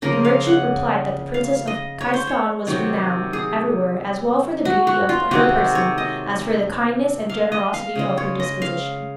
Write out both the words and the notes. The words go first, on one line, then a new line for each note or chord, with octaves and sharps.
The merchant replied that the princess of Khaistan was renowned everywhere as well for the beauty of her person as for the kindness and generosity of her disposition.
C#3 F3 A#3 A#4
F5
F#5
F5
D#5
C#5
C5
C#5
C3 D#3 F#3
G#4
F#4
F#4
F4
C3 D#3 G#3 F#4
C#5
D#5
F5
D#5
F5
C#3 G#3
C#5
D#5
F5